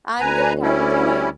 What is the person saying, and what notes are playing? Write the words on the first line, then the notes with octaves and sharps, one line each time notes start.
I'm good, how are you doing?
D2 B4 G#5 A#5
G3 C#4 E4